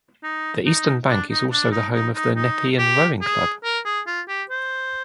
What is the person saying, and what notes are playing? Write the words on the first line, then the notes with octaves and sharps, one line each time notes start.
The eastern bank is also the home of the Nepean Rowing Club.
D#4
D#4
D4
D#4
D4
D#4
D#4
D#4
D#4
G4
G#4
A#4
G#4
F4
G4
C5